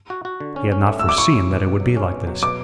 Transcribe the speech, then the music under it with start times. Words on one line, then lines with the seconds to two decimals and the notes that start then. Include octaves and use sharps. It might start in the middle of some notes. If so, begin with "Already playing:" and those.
He had not foreseen that it would be like this.
0.10 F#4
0.25 F#4
0.40 D3
0.56 C#4
0.72 C#4
0.87 A3
0.99 F#4 E6
1.09 D6
1.18 E4 C#6
1.34 C#4
1.50 B2
1.65 B2
1.80 F#3
1.97 C#4
2.12 B2
2.27 F#3
2.42 B2 D6